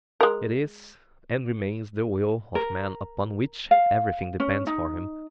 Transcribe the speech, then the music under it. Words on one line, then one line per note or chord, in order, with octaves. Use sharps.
It is and remains the will of man upon which everything depends for him.
G#3 A#4
A#4
F5
C#4
D#4